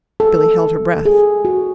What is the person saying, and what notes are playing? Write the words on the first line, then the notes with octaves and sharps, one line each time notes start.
Billy held her breath.
A4
G#4
F#4